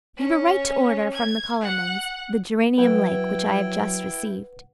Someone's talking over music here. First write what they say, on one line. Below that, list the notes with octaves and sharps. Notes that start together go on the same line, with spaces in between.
You were right to order from the colourman's the geranium lake which I have just received.
C#4
G#6
F#5
F#3 E4 B4 F#5 G5